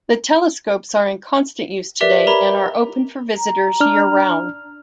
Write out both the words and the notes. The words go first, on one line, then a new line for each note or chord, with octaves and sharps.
The telescopes are in constant use today and are open for visitors year round.
G4 A#4 B4 D5 E5
G4 A#4 C#5 A#5 B5
A#5
D4 F6